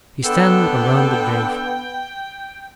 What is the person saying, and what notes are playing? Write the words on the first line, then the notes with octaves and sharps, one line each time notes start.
We stand around the grave.
D3 B3 A4 G5